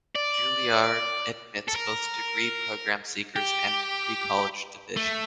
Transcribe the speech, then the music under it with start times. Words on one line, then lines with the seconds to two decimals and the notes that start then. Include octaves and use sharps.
Juilliard admits both degree program seekers and pre-college division.
0.15 D5
1.68 A4
1.76 A#4
3.36 G4
4.96 A3